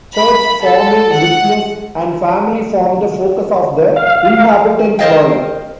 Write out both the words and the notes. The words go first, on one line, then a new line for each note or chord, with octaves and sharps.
Church, farming, business, and family formed the focus of the inhabitants' world.
B5
A4
F#5
F5
A#4 C5 C#5 D#5 F5 G5